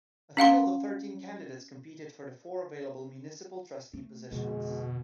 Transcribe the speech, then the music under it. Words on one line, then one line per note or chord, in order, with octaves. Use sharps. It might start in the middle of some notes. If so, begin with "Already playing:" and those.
A field of thirteen candidates competed for the four available municipal trustee positions.
C#4 F5 F#5 C6
A3
F2 B2 D3 G#3